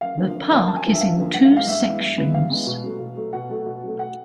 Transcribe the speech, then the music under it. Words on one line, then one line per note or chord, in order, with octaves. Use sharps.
The park is in two sections.
F#2 F5
D3 F3 A#3
F#2
D3 F3 A#3
F#2 A5
G#5
D3 F3 A#3
E5
F#2 F5
D3 F3 A#3
G2 F#5
F5
E3 G#3 B3
F5
G2 E5
E3 G#3 B3
G2 E5
E3 G#3 B3
G2 F5
E3 G#3 B3
B2
F#3 A3
B2
F#3 A3
B2 F#5
F#3 A3
B2
F#3 A3
F#5